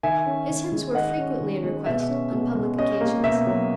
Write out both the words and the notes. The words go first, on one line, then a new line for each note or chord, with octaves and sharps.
His hymns were frequently in request, on public occasions.
D#3 E5 G#5
C#4
D#3
G#3
D#3 D#5 F#5
C#4
D#3
G#3
B2 E5
C#4
B2
G#3
C#4 D#5
A#3
B2 E5
F#3